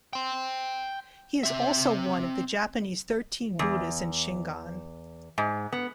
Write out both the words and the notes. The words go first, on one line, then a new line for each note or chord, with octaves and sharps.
He is also one of the Japanese Thirteen Buddhas in Shingon.
G5 C6
C4 E5
E2
G#2
B3